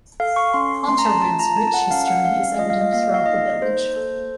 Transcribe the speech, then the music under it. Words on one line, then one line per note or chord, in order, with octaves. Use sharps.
Ponterwyd's rich history is evident throughout the village.
A4 F5
C#6
C#4 C6
A3 C6
A#5
A5
F4 A5
A#5
A4 A5
A5
F#5
C#4 F5
F#5
A3 F5
F4 D#5
F5
D#5
A#3 F5
D#5
F5
D#4 D#5
A#3 C5
A4